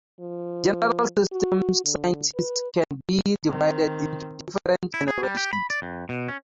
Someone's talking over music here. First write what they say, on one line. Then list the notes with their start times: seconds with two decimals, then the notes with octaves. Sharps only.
General systems scientists can be divided into different generations.
0.20 F3
1.32 F#4
1.85 D3
2.35 B4
3.50 D#3 C4
4.94 E4
5.08 G#4
5.23 G3
5.37 G4
5.53 B5
5.70 D5
5.82 F2
6.09 B2
6.28 C#4